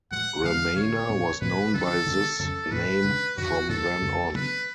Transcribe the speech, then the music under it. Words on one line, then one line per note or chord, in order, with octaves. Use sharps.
Ramana was known by this name from then on.
A2 F3 G#3 F#5
D3 G#3 B3 F5
D3 F3 B3 D4 C#5
A2 F3 B3 D4
A2 F3 A3 B4
D3 F#3 C#4 A4
D3 G#3 B3
F2 C#3 F#3 C#4 A4
A2 F3 A3 D4 B4
C#3 G#3 D4
F2 D3 F3 F#4
G#2 F#3 A3 D4 A4
F2 C#3 F#3 A3
C#3 F#3 B3 D4 B4